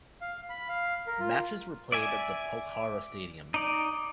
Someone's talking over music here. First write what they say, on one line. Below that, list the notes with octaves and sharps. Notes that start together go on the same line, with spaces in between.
Matches were played at the Pokhara Stadium.
F5
B5
F5
A#4
F4
D5 E5 G#5
D#4 D5